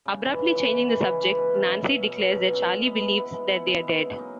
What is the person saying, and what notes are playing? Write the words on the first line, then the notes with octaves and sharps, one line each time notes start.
Abruptly changing the subject, Nancy declares that Charlie believes that they are dead.
C#3
E3 G#3
C#3
E3 G#3
C#3
E3 G#3
C#3
E3 G#3
B2
F#3 C#4
B2
F#3 C#4
B2
F#3 C#4
B2
F#3 C#4
G#3
B3 E4
G#3
B3 E4
G#3
B3
E4
G#3
B3 E4
C#3
F#3 A#3 D#4